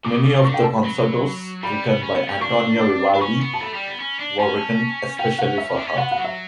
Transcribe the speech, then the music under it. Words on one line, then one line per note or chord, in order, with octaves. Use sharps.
Many of the concertos written by Antonio Vivaldi were written especially for her.
C#3 D6
B2
D3 C#6
G5
A5
B5
F#3
G3 B5
B3
C#4
B3
C#4
D4 C#6
D6
D4 B5
C#4 C#6
B3
A5
A3 B5
G3
B3
C#4
D4
C#4 A5
C#4 G5
F#5
E5
D4
C#4
B3 F#5
F#5
F#3
E5